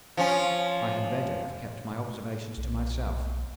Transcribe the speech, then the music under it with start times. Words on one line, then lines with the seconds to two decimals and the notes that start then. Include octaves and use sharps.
I had better have kept my observations to myself.
0.17 F3 C#4
2.57 B1